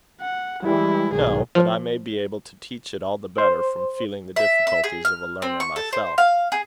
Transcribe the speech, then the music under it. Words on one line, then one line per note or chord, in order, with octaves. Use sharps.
"No; but I may be able to teach it all the better from feeling the difficulties of a learner myself."
F#5
E3 G3 G#3 E4
B1 G#2 D#3 G#4
F3
C5
E5
E5
G#4
F6
C4
C#6
A4
C5
F5
G#4